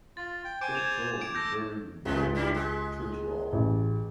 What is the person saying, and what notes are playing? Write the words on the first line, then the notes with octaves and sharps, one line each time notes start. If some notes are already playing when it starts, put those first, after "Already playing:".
Steptoe is buried in Bourn churchyard.
F4 A6
G5
C5 G#5 D6 G6 D7
G#6 E7 F7
D6 G#6 D7
A4 G6 A#6
C#2 C3 G#3 A3
F#2 G3 E4
G#3
A1